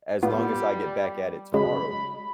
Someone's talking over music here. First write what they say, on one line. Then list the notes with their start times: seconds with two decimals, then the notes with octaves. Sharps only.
as long as I get back at it tomorrow."
0.23 A2 G3 B3 F4
1.54 C#3 F#3 G#3 B5